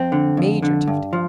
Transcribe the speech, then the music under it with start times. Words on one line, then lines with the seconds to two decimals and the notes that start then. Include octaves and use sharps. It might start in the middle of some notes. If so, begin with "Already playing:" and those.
"Major Tifto."
Already playing: F2 C4
0.12 D3
0.37 F2
0.62 D3
0.88 G2
1.13 F3